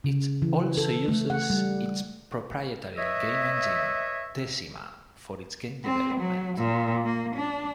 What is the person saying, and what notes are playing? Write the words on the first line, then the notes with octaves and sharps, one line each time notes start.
It also uses its proprietary game engine, Decima, for its game development.
C#3
E3
A4
A3
F#5
G3
B4 C#5 D#5 E5
C4
F#3
A#2
A#3
D4